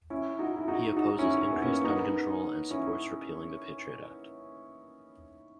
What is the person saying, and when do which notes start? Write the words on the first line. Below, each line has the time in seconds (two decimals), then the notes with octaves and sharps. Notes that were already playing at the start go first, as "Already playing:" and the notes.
He opposes increased gun control and supports repealing the Patriot Act.
0.10 C#4 E4
0.39 D#4 F#4
0.56 E4
0.68 D#4 F#4
0.97 D#4 F#4
1.19 C#4 E4
1.41 C#4 E4
1.53 B3
1.62 A#3 C#4
1.84 B3 D#4
2.70 C#4 E4